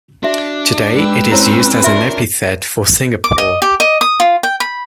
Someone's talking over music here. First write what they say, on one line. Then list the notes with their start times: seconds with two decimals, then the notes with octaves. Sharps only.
Today, it is used as an epithet for Singapore.
0.23 D4 F#4 E5
0.94 G#2 G4 B4 E6
1.31 C4 C#4 E4 C5 C#5
1.83 C#4 D4 F4 A#4 E5 C6
3.24 D6
3.38 D#5
3.62 G4
3.80 D#5
4.01 D#6
4.20 F4
4.43 G5
4.60 B5